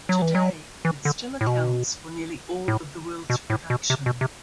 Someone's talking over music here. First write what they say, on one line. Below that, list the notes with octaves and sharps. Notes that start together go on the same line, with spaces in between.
Today, it still accounts for nearly all of the world's production.
F#3
E3
F#3
E3
D3
A2
B2
A2
B2
A2
B2
C3
B2
C3